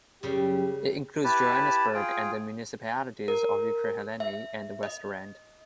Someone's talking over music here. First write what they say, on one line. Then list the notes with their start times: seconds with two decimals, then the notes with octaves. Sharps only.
It includes Johannesburg and the municipalities of Ekurhuleni and West Rand.
0.23 F#2 C#3 G3 G4
1.24 E4 G4 B4 A5
1.94 F4 G#4 G5
3.28 A#4
4.20 E5
4.83 D#5